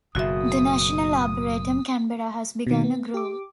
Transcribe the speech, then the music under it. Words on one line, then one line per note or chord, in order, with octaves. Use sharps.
The National Arboretum Canberra has begun a grove.
F#1 B2 F#4 E5 D#6
B2 D#3
B3
G4 D6